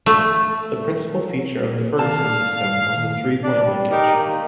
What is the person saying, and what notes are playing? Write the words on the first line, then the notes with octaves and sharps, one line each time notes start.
The principal feature of the Ferguson System was the three-point linkage.
A3
D#3 D5 F5 A5
D4 D5
G3
D#4 G4 A#4
D#3 A#3